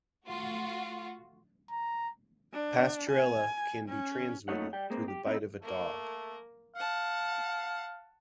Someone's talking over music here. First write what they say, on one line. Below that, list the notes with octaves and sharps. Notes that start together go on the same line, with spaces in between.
Pasturella can be transmitted through the bite of a dog.
A3 F4 F#4
A#5
D4
G#5
C#4
A#2 A3 D#4 C#5 F#5
G3 G5
G#3 A#3 C4
G4
C4 D#4 E4
A3 A#3
F5 F#5 A5